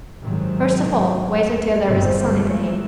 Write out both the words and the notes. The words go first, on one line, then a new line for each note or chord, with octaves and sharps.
First of all wait until there is a sunny day.
G#2 C3 D#3 F#3
E2
G1 E2 C4
G2 E3 G#3 A3